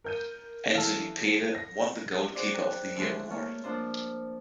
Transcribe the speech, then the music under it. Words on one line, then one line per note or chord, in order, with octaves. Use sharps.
Enzo Di Pede won the 'Goalkeeper of the Year' award.
A#4 G6 D#7
E3 A4 F5
A#6
F#4 G#4 C5 D5
G5 A#5 F#6
D3 E3 G#3 A3
A3 A#3 F4 C#5
F3 A#3 D4 F4 C5